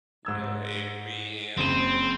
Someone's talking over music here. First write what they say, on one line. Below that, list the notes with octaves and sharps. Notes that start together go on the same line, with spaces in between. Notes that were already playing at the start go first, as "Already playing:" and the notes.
Yeah, I agree, and
G#2 E6 G#6
F#1 C#3 C4 D#7